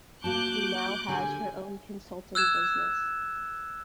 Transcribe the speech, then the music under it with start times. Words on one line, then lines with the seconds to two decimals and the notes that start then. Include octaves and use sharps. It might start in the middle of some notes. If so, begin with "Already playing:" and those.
She now has her own consulting business.
0.24 A#3 F#4 A5 D6 F#6 G6
1.08 D3 G4 G#4 G#5
2.35 E6 F#6 G#6 E7